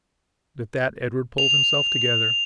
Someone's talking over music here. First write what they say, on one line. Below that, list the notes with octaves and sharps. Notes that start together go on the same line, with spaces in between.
But, at that Edward pulled himself together.
F7